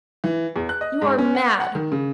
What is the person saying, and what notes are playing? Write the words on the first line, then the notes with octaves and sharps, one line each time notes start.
'You are mad!
E3
E2
F#6
D#5
G#2
C#4
F#5
F#5
D#3
C#3